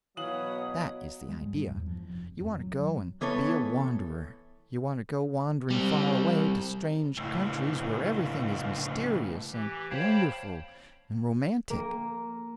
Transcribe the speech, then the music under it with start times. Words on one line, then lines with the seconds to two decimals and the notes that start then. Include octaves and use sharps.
That is the idea; you want to go and be a wanderer; you want to go wandering far away to strange countries where everything is mysterious and wonderful and romantic.
0.17 B2 E3 F#3 B4 C#5 F5 D#6 F#7
1.29 G#3
1.43 G2
1.71 E2
1.87 F3
2.09 F1
2.40 F2
2.60 F#3
3.21 E3 B3 A4 C#5
5.70 G3 C4
7.17 C#2 A2
9.53 E3 G4
9.90 C5 C#5 F5 G5 A5 B5
11.70 A#3